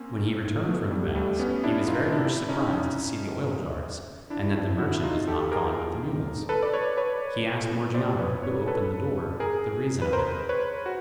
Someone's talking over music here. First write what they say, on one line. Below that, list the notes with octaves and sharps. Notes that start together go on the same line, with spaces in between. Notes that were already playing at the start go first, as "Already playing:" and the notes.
When he returned from the baths, he was very much surprised to see the oil jars, and that the merchant was not gone with the mules. He asked Morgiana, who opened the door, the reason of it.
Already playing: A#3 C4 C#4
A3 B3
G3 A3
G3 A3
B3 C#4
D4 E4
D#4 F4
D4 E4
C#4 D#4
D4 E4
D4 E4
E4 F#4
D#4 F4
G4 A4
G#4 A#4
A4 B4
D5
B4 C#5
B4 C#5
C5 D5
B4 C#5
B4 C#5
A4 B4
G#4 A#4
B4
A#4 C5
B4 C#5
F#4